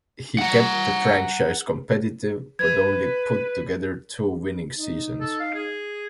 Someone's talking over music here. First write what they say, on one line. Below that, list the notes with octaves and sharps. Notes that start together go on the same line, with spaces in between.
He kept the franchise competitive, but only put together two winning seasons.
F#5 A#5
B4 G#6
D#4
A4
F5
G#4